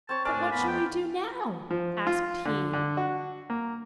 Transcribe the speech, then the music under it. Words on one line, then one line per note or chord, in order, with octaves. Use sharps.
'But what shall we do now?' asked he.
C4 C#5 A5
A2 D4 A#4 D5 G#5 D6
F2 B3 B5
G5
F3
F4
D3
D3
F#4
A#3